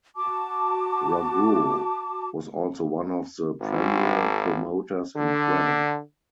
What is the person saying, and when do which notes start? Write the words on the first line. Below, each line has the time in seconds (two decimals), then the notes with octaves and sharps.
Rougeau was also one of the premier promoters in Quebec.
0.16 F#4 A5 D6
3.62 G#1
5.17 D3